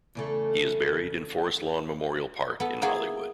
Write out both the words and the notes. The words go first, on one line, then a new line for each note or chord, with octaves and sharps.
He is buried in Forest Lawn Memorial Park in Hollywood.
E2 C#3 A3
B3 A4
A#3 B3 E4 G#4